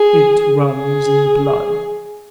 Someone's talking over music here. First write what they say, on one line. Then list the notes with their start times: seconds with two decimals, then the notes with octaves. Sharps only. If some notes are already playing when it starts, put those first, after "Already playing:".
It runs in the blood.
Already playing: G#4
0.67 G#4